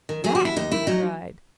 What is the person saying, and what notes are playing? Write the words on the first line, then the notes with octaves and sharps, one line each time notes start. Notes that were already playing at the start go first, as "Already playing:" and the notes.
"That!" he cried.
D#3
F#3 G#4
F#4
D#2 E4
D#2 D#4
D#3 E4
F#3 D#4